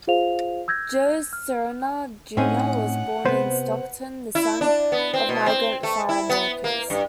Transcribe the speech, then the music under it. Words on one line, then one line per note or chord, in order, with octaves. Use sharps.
Joe Serna, Junior was born in Stockton, the son of migrant farm workers.
F4 G#4 C5 F5 F7
E6 G6 G#6 A#6
F6
A2 C4 C#4 D#4 G#4 F#5
C3 B3 B4 C5
E4
D4
B3
C4
B2
C4
A3
E4
B3
A#3
G2